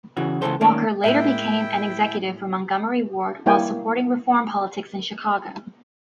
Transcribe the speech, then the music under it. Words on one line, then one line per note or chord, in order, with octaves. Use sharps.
Walker later became an executive for Montgomery Ward while supporting reform politics in Chicago.
C#3 E3 F#4
C#2 A#2 C#3 E3 A4 C5
D#3 A#3 C#4 D5
A2 G#3 A#3 E4 E5 G5
G3 A#3 E4 C#5 G5 G#5